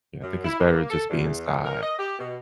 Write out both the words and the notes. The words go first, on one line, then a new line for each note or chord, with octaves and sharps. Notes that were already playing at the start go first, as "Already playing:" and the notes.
Yeah, I think it's better just being inside.
F#2
E4
A#3
A4
E2
A#4
D#5
G4
B2